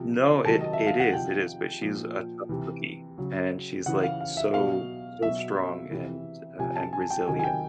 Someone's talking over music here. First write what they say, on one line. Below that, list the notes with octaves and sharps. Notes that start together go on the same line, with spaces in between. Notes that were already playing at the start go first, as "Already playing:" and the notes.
No, it it is it is, but she's a tough cookie, and she's, like, so so strong and uh, and resilient,
Already playing: C3 F3
C3 D#3 F#3 A5
D#5
E5
F5
F#5
C3 F3 G5
A#2 F3
C3 E3
C#3 F#3
C#3 E3 F#5
F5
F5
E5
B2 F#3 F5
B2 F#3 E5
C3 E3
C3 F3 G#5
A5
G#5
G5
C3 D#3 F#3 G#5
G#5
G5